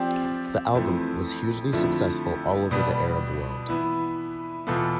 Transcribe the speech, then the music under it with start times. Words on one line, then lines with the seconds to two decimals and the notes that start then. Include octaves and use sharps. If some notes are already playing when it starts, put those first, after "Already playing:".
The album was hugely successful all over the Arab world.
Already playing: F3 C4 G4 D5
0.75 F2 E3 A3 C4
1.73 F2 D3 F3 A3 E4
2.71 B2 G3 B3
3.69 E3 B3 E4
4.67 E2 B2 B3 F4 A4